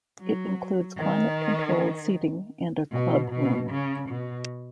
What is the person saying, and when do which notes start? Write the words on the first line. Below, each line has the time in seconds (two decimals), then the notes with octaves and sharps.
It includes climate-controlled seating and a club room.
0.20 F#3
0.98 D#3
2.92 B2
3.31 B2
3.70 C#3
4.09 B2